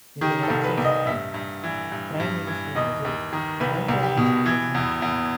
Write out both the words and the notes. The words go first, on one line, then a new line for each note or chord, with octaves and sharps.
In the election's aftermath, Prime Minister Buzek tendered his resignation.
D#3 G4
A4
C2
B4
C2
D#5
G2 E5
G2
E3
G2
G2
E3
D#2 D#5
D#2
D#3
C2 B4
C2
G4
B2
E3
E2
E2